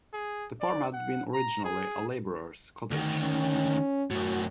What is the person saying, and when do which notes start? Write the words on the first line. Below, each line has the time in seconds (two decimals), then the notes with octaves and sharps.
The farm had been originally a labourer’s cottage.
0.14 G#4
0.61 D5
0.93 F#5
1.34 A#5
1.65 G#4
2.91 D2 D#3
3.22 C#4
4.11 F#2 A2 F#4